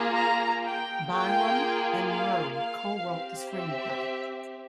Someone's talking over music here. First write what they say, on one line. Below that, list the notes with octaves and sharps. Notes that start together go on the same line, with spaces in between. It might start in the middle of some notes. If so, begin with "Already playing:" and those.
Byrum and Murray co-wrote the screenplay.
Already playing: A#3 F4 G#4
A#5
G5
A#3 F4 G#4 G5
F5
F5
C4 G4
E5